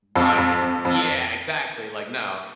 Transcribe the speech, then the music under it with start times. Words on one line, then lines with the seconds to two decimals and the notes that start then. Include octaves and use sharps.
right, yeah, exactly, like, "No."
0.16 F2
0.38 F2
0.62 F2
0.85 F2